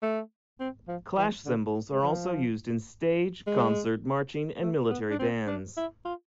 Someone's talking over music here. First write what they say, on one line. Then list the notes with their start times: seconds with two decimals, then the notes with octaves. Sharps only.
Clash cymbals are also used in stage, concert, marching and military bands.
0.02 A3
0.60 C4
0.88 F3
1.17 E3
1.46 D3
1.92 G#3
2.02 F3
3.47 G#3
4.62 A3
4.90 B3
5.10 D4
5.19 C4
5.47 D4
5.77 E4
6.05 F4